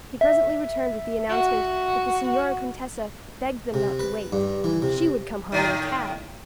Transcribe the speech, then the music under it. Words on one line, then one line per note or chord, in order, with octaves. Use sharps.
He presently returned with the announcement that the Signora Contessa begged them not to wait--she would come home in a cab!
E5
F#4
C3
B4
G2
E3
C3
A2 D#3